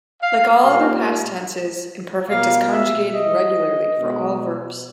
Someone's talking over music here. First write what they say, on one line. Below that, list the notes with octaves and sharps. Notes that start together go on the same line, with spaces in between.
Like all other past tenses, imperfect is conjugated regularly for all verbs.
F5
A#2 G3 A#3 F5
B2 G3 A#3 F5
E5
D#5
B2 G#3